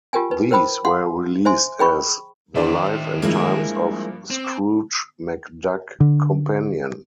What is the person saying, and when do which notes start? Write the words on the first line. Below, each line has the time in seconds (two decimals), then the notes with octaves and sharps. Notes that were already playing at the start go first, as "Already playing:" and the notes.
These were released as "The Life and Times of Scrooge McDuck Companion".
0.13 F4 G4 A#4 G5 G#5
0.31 D#4 B4
0.51 A#4 C5 G5 B5 D#6
0.85 F5 F#5 C6
1.45 C5 E5 G#5 C6
1.79 G#4 G5 B5 C#6
2.56 D#3 D4 C5 D5 E5
3.22 G2 F3 G#3 A#3 E4 A#4
4.30 C4
6.00 D3